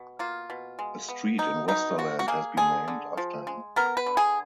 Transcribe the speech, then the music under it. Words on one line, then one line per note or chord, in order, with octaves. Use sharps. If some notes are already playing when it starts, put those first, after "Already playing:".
A street in Westerland has been named after him.
Already playing: B2
A#3 F4
B2
G#3
B3
B2 D#4
B2 D#4
F3 F#4
F#4
A#3 G#4
D3 G#4
D3
F3
G#3
B3 A#4
B4
D3
G#4